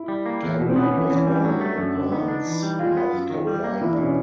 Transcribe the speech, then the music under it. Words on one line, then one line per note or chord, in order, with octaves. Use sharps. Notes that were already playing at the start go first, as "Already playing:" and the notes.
Perry was born in Advance, North Carolina.
Already playing: E4
G3
A#3
E2
B2
C4
B3 C#4
E3
E3 C#4
G3 C#4
F#3 D4
A3
F#2
D3
B3 D#4
D4
E3
G3
G#3 F4
B3
F#2
D#3
G3
A#3
E2 E4
D4
B2
C#4